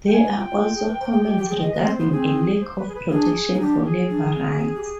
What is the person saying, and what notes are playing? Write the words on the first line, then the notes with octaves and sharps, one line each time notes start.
There are also comments regarding a lack of protection for labour rights.
G5
G#5
B4
F4 G5
F4
F4
G#4
B4
C5
G#4
G4
G4
G#4
G#4 D#5
B4
C5
C4
B3 C5
C4 G#4
C5
B4
G#4
B4
D4 G#4
D#4
D4 G4
G#4
D4
C4
C4
G4